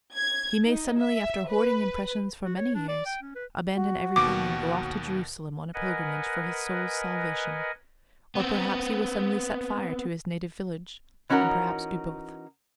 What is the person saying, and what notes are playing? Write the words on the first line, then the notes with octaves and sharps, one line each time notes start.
He may suddenly, after hoarding impressions for many years, abandon everything and go off to Jerusalem on a pilgrimage for his soul's salvation, or perhaps he will suddenly set fire to his native village, and perhaps do both.
G#6
D#4
E5
B4
F#4
C#5
D4
D5
G5
C#4
B4
F#4
D#2 B2 D6 D7
A#4 B4 D#5 F#5 G#5
B3 C4
E3 C#4 D#4 F#4 A#4